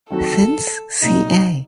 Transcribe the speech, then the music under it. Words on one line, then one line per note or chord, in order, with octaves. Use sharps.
Since ca.
D#3 F#3 C4 F#4 A4
C2 A#2 F#3 D#4